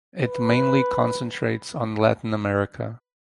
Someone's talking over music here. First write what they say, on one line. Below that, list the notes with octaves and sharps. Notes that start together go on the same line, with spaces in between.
It mainly concentrates on Latin America.
B4